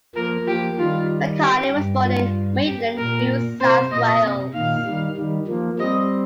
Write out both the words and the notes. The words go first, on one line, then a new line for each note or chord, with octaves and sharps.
Macartney was born in Maitland, New South Wales.
F3 A#3 A#4
F3 A#3 G4
D#3 G3 F4
G4
G2
F4
G4
A#2 A#4
C3 C5
A#2 D#5
C3
A#2 D#3 F5
D#3 G3
D#3 G3
F3 A#3
G3 C4 D#5